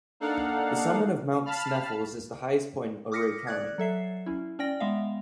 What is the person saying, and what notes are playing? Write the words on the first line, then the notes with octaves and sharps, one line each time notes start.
The summit of Mount Sneffels is the highest point in Ouray County.
A#3 D4 D#4 A4 F5 F#5
F5 A5 B5 F6
D6 D#6 F6 A#6 B6 C#7
D5 F#6 G#6
F#3 A4 E5 C7
C#4 E4
C#4 D5 G5 A#6
G#3 B3 E5 F5